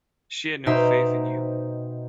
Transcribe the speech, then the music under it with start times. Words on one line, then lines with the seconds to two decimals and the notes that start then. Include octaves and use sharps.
She had no faith in you.
0.66 B2 D#4 C5 E5 G5 A#5